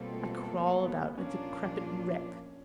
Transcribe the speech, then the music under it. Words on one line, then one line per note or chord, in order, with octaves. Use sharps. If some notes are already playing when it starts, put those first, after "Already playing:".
I crawled out a decrepit wreck.
Already playing: B2 G3 A#3 C4 F4 A4
A3
A#3
B3
A#2 F3 A#3 C#4 D4 F4